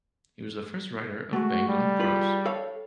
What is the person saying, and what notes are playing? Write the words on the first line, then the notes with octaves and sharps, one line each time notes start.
He was the first writer of Bangla prose.
G#3 A3 F#4
G3
F4 G#4 B4
A4 C#5 F5